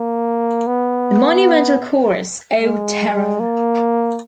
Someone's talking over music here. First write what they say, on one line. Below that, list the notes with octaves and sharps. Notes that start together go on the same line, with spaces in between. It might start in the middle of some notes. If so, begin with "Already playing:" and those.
The monumental chorus O terror!
Already playing: A#3
B3
G#3
A#3